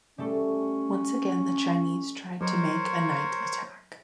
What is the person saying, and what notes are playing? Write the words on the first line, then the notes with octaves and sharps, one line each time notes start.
Once again the Chinese tried to make a night attack.
G3 A3 C#4 A4
F#3 A#4 C5 C#5